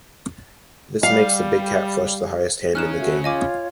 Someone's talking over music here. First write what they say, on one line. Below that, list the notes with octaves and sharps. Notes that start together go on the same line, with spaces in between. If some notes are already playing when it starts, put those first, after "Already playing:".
This makes the big cat flush the highest hand in the game.
G3 F5
C#3 C#4 D#4 F6 F#6 E7
F#4 A4 E5
F4 C#5 D#5 G#5 D6